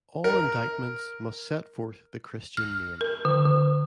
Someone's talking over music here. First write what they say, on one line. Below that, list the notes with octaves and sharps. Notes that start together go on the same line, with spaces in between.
All indictments must set forth the Christian name.
A#4
F6
A#4
D3
D3